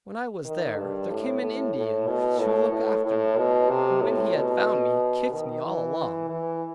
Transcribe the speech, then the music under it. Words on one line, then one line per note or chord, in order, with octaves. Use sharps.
When I was there, there came an Indian to look after me, who when he had found me, kicked me all along.
D#3
G2
A2
A2
A2
B2
A2
A2
A2
B2
C3
A2
B2
D#3
E3
E3